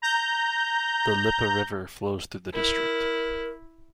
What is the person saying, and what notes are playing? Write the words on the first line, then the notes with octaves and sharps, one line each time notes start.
The Lippe River flows through the district.
A#5 G6
E4 A#4